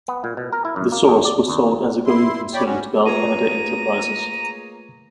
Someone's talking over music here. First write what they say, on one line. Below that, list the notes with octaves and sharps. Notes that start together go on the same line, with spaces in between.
"The Source" was sold as a going concern to Bell Canada Enterprises.
B3
A#2
B2
A#4
E4
F#2
A#3
E2
D5
D#2
E4 C6
C#5 D5 G5 B5 D6
C#4 F#4
A3 A#3 F4 G#4 B4 C#5 A#5 D#7